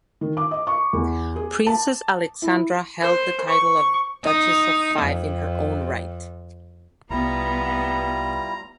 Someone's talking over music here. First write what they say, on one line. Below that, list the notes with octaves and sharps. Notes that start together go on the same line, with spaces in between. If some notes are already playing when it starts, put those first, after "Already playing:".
Princess Alexandra held the title of Duchess of Fife in her own right.
D#3
D6
D#5
C#6
E2
G#4
A5
E4
C5
C#6
D#4
F2
C2 G3 B3 E4 F4 A#5